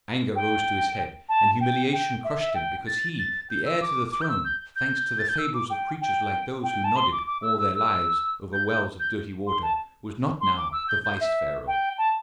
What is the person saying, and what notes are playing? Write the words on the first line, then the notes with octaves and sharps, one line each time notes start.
Anger rose to his head, and humiliation crushed him because he, the heir to the throne, thanks to the fables of creatures like those who nodded all their lives over wells of dirty water, was not now the vice-pharaoh.
G5
A5
G5
G5
E5
E5
G5
A6
A6
G6
E6
D6
D6
G6
E6
G6
G6
A6
G6
E6
D6
G5
G5
G5
A5
C6
D6
D6
E6
E6
E6
G6
G6
G6
C6
A5
C6
D6
E6
G6
G6
E5
G5
A5